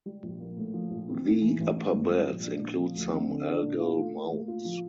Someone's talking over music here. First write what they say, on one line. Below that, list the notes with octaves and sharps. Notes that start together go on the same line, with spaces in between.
The upper beds include some algal mounds.
G3
A#1
A#3
A2
F3
A#1
C4
A#2
E3
A1
A#3
G2
G3
A#1
D4
A#2
F3
D2
C4
D3
D4
A#2
F4
A3
A#3
A2
F4
F3